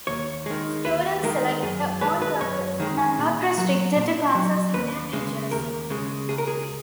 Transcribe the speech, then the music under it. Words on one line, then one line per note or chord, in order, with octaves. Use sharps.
Students select their own classes and are not restricted to classes in their majors.
D#2 C#5
D#3 G#3
D#2 B4
D#3 G#3 A#4
F#2 G#4
D#3 G#3 B4
B4
F#2 C#5
D#3 G#3
A#2
F#3
A#2
F#3
D#2 B4
C#3 G#3
D#2 A#4
C#3 G#3
C#2 G#4
A#4
G#4